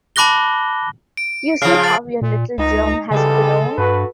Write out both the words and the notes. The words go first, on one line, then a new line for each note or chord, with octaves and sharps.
You see how your little germ has grown?
A5 B5 D6 F#6 A#6 G7
D7
C#3 F3 F6 C7 D7
A6 C7 F#7
A#2
C#2 D#4 A#5
G#2 C#3 E3 G3 G#3 A4
G2 F#4 A4 B4